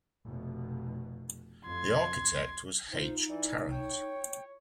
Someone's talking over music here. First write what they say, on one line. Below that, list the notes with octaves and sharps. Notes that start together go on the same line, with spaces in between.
The architect was H. Tarrant.
F1 B2
F2 C6 G#6
D#4 F4 C5
E3 D5
C#5 G5